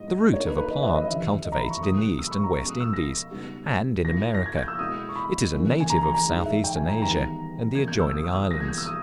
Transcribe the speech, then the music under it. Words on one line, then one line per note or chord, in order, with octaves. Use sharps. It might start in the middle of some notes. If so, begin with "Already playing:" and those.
The root of a plant cultivated in the East and West Indies, and in America; it is a native of South-eastern Asia and the adjoining islands.
Already playing: G#2 G3 B3 E4 D#5
G2 G3 A#3 D#4 C#5
B4
B4
D#5
E5
D#5
D#2 C#3 E3 E5
D#5
A#5
B5
C#6
C#3 G3 A#3 D#6
E6
B5
C#6
A#5
B2 G#3 C#4 C#6
D#6
E6
A#6
C#3 G3 B3 D#4
A#2 A#3 E4 A#6
A#6
G#6
G6
E6
B2 G#3 B3 E4 D#6
C#6
B5
C#3 E3 A#3
G#5
A#5
A#5
A#5
G#2 E3 G#3 D#4
E5
G5
G#5
A#5
E2 D#3 G3 B3 D#4 A#5
E2 B2 A#3 C#4 G#6
G6
E6
D#6
E6
D#6
E2 B2 G3 A#3 E4 A#6
G#6
G6
E6
D#6